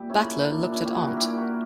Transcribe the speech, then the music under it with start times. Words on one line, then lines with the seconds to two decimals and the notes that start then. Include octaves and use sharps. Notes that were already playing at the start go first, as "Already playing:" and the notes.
Butler looked at aunt.
Already playing: A#2 G3 G4 E5
0.10 A#3 C#4 E4
0.31 C#4
0.39 A#3
0.52 D4
0.67 A#2
0.74 C#4 E4
0.85 G4
0.95 G3 D4 F#4
1.07 A#4
1.16 E4 G4
1.24 A#3
1.37 F#4 A#4